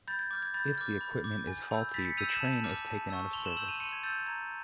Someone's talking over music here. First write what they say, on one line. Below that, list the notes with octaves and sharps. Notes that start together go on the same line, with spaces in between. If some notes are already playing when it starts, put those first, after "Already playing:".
If the equipment is faulty the train is taken out of service.
B5 G6 A6
G#6
D6 F6 G6
G#6
B5 G6 A6
D6 F6
B5
D6 G6
G#5
B5 E6 G6
B5 A6 B6
B6 C#7
E6 G6 D#7 F7
E7 F#7
A5
D6 F6
A5
C#6 E6
C6 F7 G7
E7 F#7
E6 G6 E7 F#7
D#7 F7
C6 C#7 D#7
G#6
E6 G6 A6
A#5 G#6